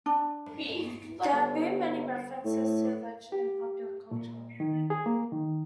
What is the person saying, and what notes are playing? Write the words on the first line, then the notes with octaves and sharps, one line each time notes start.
There have been many references to the legend in popular culture.
D4
G1
A2
G4
A#2
D#3
G#4
A#3
D#3